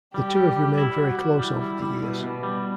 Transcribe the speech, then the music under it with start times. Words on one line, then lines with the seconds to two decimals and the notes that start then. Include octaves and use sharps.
The two have remained very close over the years.
0.14 G3 G4
0.36 G3
0.56 G3
0.77 E4
0.98 G3 F#4
1.19 G3
1.39 G3 E4
1.61 G3
1.82 G3
2.03 B2
2.23 B2
2.43 G3